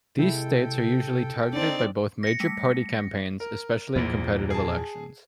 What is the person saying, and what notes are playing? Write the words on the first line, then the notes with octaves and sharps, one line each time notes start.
These states are usually targeted by both major-party campaigns, especially in competitive elections.
C3 G#3 E4 A4 G5
C4 D4 D#4 D5
A#6 C#7
G3 A3 B6
A#4
A#1 E2 A#2
G#4 A5